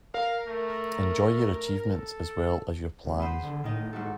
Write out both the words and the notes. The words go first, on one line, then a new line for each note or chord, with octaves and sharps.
Enjoy your achievements as well as your plans.
A#4 F5
A3
A4
D2
B3 G#4 C5
D3
A2 D#3 D#4
G#2 F#4 A4